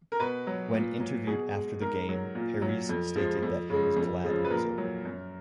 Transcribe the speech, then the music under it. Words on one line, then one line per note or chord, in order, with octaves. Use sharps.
When interviewed after the game, Parise stated that he was glad it was over.
A#4
B2 B4
F#3
A#2
F#3
B2 G#4
G#3
G#2 A#4
F#3
A#2
F#3
F2
F3 G#3
F2
C#3 G#3
F2
C#3 F3 G#3
B4
A#2 A#4
F#3
F#2